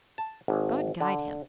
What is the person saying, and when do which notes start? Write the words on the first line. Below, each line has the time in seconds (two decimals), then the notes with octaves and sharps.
God guide him!...
0.18 A5
0.48 G#1
1.01 D3